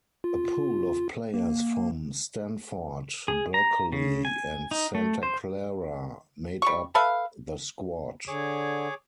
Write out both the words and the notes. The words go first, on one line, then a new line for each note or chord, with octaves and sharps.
A pool of players from Stanford, Berkeley, and Santa Clara made up the squad.
F4
A#3
G#4
A#5
C#3
G#5
D#4
A3
C5
G3 C#6
A4 B4 E5 F5
D3 G#4 C#5 D6